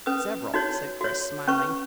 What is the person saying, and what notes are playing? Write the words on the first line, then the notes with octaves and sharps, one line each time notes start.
"Several," said Chris, smiling.
C#4 B4 D#6
D#4 F#4 C#5
F#4 C#5
C#4 B4 C#6